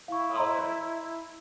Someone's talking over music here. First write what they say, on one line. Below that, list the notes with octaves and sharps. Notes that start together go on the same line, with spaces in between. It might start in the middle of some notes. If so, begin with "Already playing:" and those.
Oh, okay.
E4 F5 C#6
D#5 A#5 C6